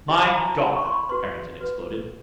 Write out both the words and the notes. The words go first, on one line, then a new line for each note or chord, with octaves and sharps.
"My God!" Harrington exploded.
E4 G4 C5 C6
B5
A#5
G#5
A5
E4 G4 C5 A5
C#6
C6
B5
F#4 B4 C6
F#4 B4